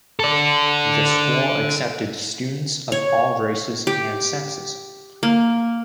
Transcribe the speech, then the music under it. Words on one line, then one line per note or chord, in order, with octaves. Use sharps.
The school accepted students of all races and sexes.
A4 D5
C#5
G4
A#3